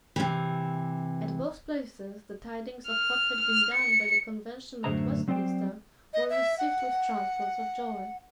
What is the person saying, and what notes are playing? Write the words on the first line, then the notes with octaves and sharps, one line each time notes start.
At both places the tidings of what had been done by the Convention at Westminster were received with transports of joy.
C3 E3
F6
F6
C#7
F#2 A2 D3 C5 E5 A#5
F#3 C4 C5 D5 G5
D#5
E5
F#5